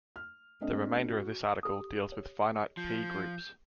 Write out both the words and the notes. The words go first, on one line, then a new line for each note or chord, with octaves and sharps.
The remainder of this article deals with finite "p"-groups.
F6
A3 C4 D4 D#5
F#4
G4 A4 D#6
C#5
F3 G6